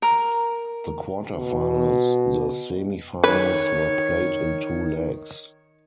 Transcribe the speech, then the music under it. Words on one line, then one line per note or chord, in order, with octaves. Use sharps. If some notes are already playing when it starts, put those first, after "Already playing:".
The quarterfinals, the semifinals were played in two legs.
A#4
B2
D#3 B4 C#5